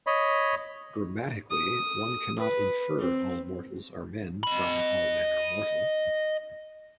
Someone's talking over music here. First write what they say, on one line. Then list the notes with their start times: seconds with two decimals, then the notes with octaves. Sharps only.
Grammatically, one cannot infer "all mortals are men" from "All men are mortal".
0.07 C#5 D#5 B5
1.50 D#6
2.39 B4
2.99 C4
4.43 D#5 B5